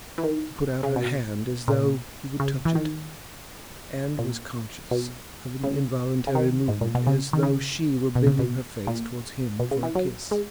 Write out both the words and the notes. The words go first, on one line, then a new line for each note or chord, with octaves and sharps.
She put out her hand as though he would touch it, and was conscious of an involuntary movement as though she were bending her face towards him for a kiss.
E3
D#3
C#3
B2
A#2
C#3
E3
D#3
A#2
B2
C#3
C#3
D#3
G#2
A#2
B2
C#3
D#3
C#3
B2
C#3
B2
A#2
B2
C#3
E3
F#3
G#3